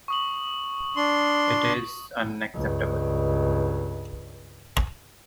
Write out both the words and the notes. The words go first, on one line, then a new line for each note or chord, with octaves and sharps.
It is unacceptable.
C#6 D#6 F#7
D4 C6
C#2 G2